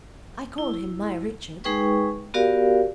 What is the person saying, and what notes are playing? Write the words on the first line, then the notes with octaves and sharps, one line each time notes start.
I call him my Richard!
E4
G#3 D#4 G#4 B4 G5 C#6
B3 F#4 G4 A#4 D5 F5